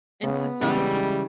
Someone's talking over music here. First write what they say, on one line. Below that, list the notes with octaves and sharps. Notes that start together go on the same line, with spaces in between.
in society.
C#3 B3
C#3 E3 G3 G#3